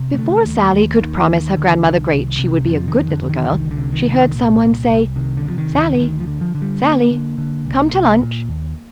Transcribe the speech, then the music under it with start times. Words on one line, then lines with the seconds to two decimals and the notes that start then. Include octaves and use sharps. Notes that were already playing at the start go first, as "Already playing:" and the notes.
Before Sallie could promise her Grandmother Great she would be a good little girl she heard some one say, "Sallie, Sallie, come to lunch."
Already playing: C3
0.14 A#3
0.18 D3 A3
0.45 D#2
0.73 D#2
1.01 D#2 D#3
1.29 D#2
1.57 D3
1.84 C2
2.11 C2
2.39 C3
2.66 F2 F3
2.88 D#3
2.95 F2
3.08 D3
3.23 D3
3.29 D#3
3.50 C2 D#3
3.71 D3
3.78 C3
3.92 D#3
4.06 C2
4.13 D#3
4.34 A#2
4.61 C2
4.89 C2
5.16 C3 D#3
5.37 D3
5.45 C3
5.50 F3
5.58 D#3
5.72 D2
5.78 D#3
5.94 D3
5.99 D2 D#3
6.20 F3
6.27 D3
6.41 F3
6.55 D3
6.62 G3
6.83 D3 A#3
7.11 D3
7.38 D3
7.65 C2
7.93 C2
8.21 A#2
8.49 D#2